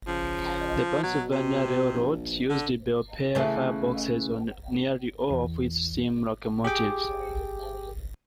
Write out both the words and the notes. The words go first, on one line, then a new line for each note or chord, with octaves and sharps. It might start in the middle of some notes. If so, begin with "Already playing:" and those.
The Pennsylvania Railroad used Belpaire fireboxes on nearly all of its steam locomotives.
C#3 F3
B2 F#3
C3
A#1
D3
C#3 E3 A3
E2
G4 G#4 G5 D6